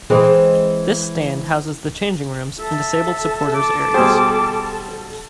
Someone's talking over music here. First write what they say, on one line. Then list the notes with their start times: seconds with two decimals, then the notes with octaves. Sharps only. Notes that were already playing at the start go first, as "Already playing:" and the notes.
This stand houses the changing rooms and disabled supporters' areas.
0.10 E3 G#3 C4
2.60 A4 E5
3.54 D6
3.94 B2 G3 G4 G#4 C5